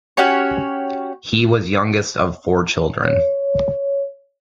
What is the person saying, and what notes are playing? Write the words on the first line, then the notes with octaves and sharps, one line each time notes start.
He was youngest of four children.
C#4 F#4 G4 C#5
C#5